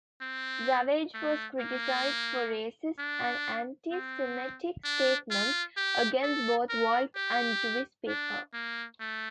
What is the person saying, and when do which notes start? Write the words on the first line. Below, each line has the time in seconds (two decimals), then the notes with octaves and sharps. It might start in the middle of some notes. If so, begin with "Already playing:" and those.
Savage was criticised for racist and anti-Semitic statements against both white and Jewish people.
0.21 C4
1.14 A3
1.60 A#3
2.99 D4
3.92 C4
4.84 D4
5.31 F4
5.77 G4
6.23 A4
6.70 A#4
7.16 G4
8.08 D4
8.54 A#3
9.00 A3